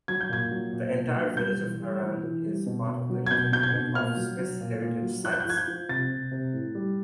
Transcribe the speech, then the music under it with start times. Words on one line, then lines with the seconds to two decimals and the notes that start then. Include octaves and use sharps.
The entire village of Aran is part of the Inventory of Swiss Heritage Sites.
0.08 F#3 G#6
0.21 G6
0.29 A#2 G#6
0.51 F#3
0.73 A#2
0.94 A#2
1.16 F#3
1.37 G3 G6
1.59 E3
1.80 G3
2.02 E3
2.23 E3
2.45 G3
2.66 B2
2.87 B2
3.10 F#3
3.26 G#6
3.31 B2 G6
3.52 B2 G6
3.63 G#6
3.74 B2
3.95 A#2 F6
4.17 F#3
4.39 F#3
4.60 A#2
4.82 A#2
5.02 F#3
5.24 F3 F#6
5.32 G6
5.40 F#6
5.45 F3 G#6
5.57 G6
5.68 F3
5.89 C3 A6
6.10 C3
6.31 C3
6.53 A2
6.75 G3